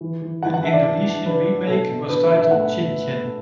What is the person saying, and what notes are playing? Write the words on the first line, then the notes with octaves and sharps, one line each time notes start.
An Indonesian remake was titled "Cincin".
E3
E3
E3 F#5
F#5
D4 E5
D5
D4
D4
D4 B4
D4
B2 A4
B2
D4 B4
B4
B2
E5
A3 F#5